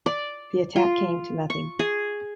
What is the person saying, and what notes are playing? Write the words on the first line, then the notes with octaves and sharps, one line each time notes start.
The attack came to nothing.
D5
F4
C#6
G#4